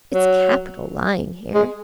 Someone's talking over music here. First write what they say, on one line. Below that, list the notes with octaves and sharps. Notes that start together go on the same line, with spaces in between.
"It's capital lying here."
F#3
G#3